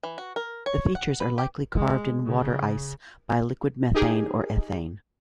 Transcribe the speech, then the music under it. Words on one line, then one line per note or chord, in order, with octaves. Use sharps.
The features are likely carved in water ice by liquid methane or ethane.
E3
F#4
A#4
C#5
F#5
B4
G4
G#3
C#3
D#4 G4 G#4 A#4